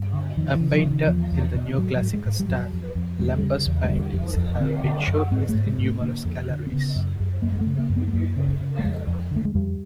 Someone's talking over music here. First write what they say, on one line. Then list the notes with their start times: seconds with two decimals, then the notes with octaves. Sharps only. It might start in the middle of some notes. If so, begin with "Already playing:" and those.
A painter in the neoclassical style, Lemper's paintings have been showcased in numerous galleries.
Already playing: G2
0.13 D3
0.36 F2 D#3
0.55 E3
0.60 C#3
0.72 F3
0.84 C#3
0.90 D#3
1.07 E2 F3
1.31 E2
1.55 B2
1.78 G#2 F#3
1.96 F#3
2.01 G#2
2.13 G#3
2.25 G#2
2.40 G3
2.49 F2 F#3
2.72 F2
2.95 F2
3.19 E2 G3
3.29 G#3
3.38 C#3 G3
3.66 E2
3.84 G#3
3.90 D3 G3
4.13 F2
4.37 F2
4.60 D3 C4
4.84 D3
5.07 F#2
5.31 G#2 C4
5.49 A3
5.54 G#2
5.66 G#3
5.78 G#2
5.84 A3
6.01 D3 A#3
6.25 F2
6.49 D3
6.67 C4
6.72 C#3 B3
6.96 F#2
7.20 F#2
7.42 F#2 A#3
7.52 G#3
7.61 A3
7.66 C#3
7.79 A#3
7.89 F#2
7.96 B3
8.08 A3
8.13 F#2 A#3
8.36 C#3
8.61 C#3
8.79 A3
8.84 F2 G#3
9.07 F2
9.31 D3
9.36 A3
9.45 G#3
9.55 F2 G3